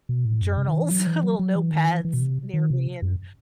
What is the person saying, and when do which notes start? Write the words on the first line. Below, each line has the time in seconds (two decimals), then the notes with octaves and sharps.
journals, little notepads near me and
0.09 B2
0.25 A2
0.42 F#2
0.57 C3
0.68 D#3
0.80 E3
0.91 F#3
1.07 E3
1.23 F#3
1.39 F#3
1.56 E3
1.71 D#3
1.88 E3
2.05 E3
2.14 B2
2.21 C3
2.54 D#3
2.70 C3
3.02 F#2